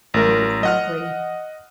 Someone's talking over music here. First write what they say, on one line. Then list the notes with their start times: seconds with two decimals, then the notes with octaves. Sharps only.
Yeah. Exactly.
0.14 A1 A#4
0.63 D#5 F#5 F6